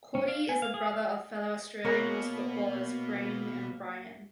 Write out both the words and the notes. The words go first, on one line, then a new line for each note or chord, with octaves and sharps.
Cordy is the brother of fellow Australian rules footballers Graeme and Brian.
C#4
F5
G#5
F5
G#4
F5
B2 A#3 A#4 C#5 F#5